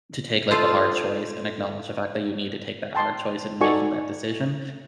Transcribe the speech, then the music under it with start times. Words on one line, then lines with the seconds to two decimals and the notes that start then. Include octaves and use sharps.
to take, like, the hard choice and acknowledge the fact that you need to take that hard choice in making that decision,
0.51 F4 A4 C5 D#5
2.95 G5 A5 C6
3.61 D#4 F#4 A4 D5 G#5 C#6